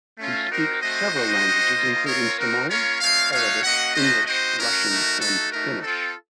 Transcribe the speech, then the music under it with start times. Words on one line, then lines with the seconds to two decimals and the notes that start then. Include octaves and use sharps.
He speaks several languages, including Somali, Arabic, English, Russian and Finnish.
0.18 A3 C#4 F4
0.49 C4 D#4 F#4 A#4
0.81 A3 C4 F#4 C5 D#5
1.13 C4 D#4 F#4
1.43 C4 D#4 F#4
1.75 A#3 F4
2.06 C4 F4 A#4 C#5
2.38 C4 D#4 F#4 A#4
2.69 A#3 C#4 F4 A#4 C#5
3.00 A3 C4 F4 C#5 F5
3.31 A3 D#4 F#4 C#5 F5
3.63 A#3 C#4 F#4 D#5 F#5
3.94 A3 C#4 F#4 C5 D#5
4.25 C4 D#4 F#4 C5 D#5
4.57 A3 C#4 F#4 A#4
4.88 A3 D#4 F#4
5.19 A3 D#4 F#4 A4
5.50 A3 D#4 F#4 A#4
5.82 C4 F4 A4